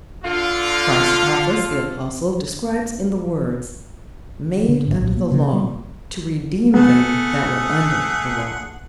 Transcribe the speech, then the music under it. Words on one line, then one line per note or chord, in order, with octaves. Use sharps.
Christ's office the Apostle describes in the words: "Made under the law, to redeem them that were under the law."
D3 F4
D3
G#1
A#1
A#3
C#3
G3
A3 B3 G#4 F#5